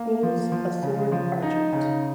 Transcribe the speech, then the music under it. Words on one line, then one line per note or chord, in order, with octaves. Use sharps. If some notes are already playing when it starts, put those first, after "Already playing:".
Gules a Sword Argent.
Already playing: A#3
F3
F3
C#3
F3
D#4
C#3